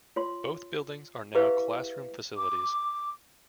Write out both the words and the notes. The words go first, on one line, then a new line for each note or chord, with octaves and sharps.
Both buildings are now classroom facilities.
F4 C#5 C6
E4 G4 G#4 B4 E5 F5
D6